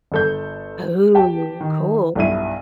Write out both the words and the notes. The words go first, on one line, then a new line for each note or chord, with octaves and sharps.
Oh, cool.
G1 A4 G6
G4 G5 A5
D#3
B1 G2 B2 E4 D#7